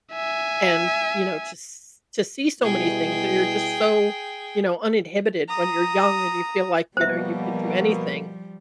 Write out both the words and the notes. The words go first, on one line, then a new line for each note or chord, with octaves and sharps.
and, you know, to s to see so many things, and you're just so, you know, uninhibited when you're young, and you feel like, you know, you could do anything,
E5 G#5
B2 G3 E4 G#4 G5
A#5 D#6
B2 F3 G3 A#3 B3 C5 E5